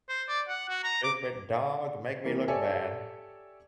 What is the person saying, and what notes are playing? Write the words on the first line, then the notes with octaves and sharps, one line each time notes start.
"Stupid dog, make me look bad."
C5
D5
F#5
F#4
A#5
D6
C3 E3 A#3
G4 A4 C#5 D5 E5 G#5